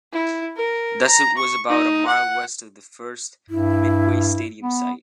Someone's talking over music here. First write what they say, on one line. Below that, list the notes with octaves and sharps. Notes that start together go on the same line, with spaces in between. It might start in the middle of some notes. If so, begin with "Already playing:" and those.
Thus it was about a mile west of the first Midway Stadium site.
E4
A#4
A#5
C#6
D#4
F#5
G2 E4
B3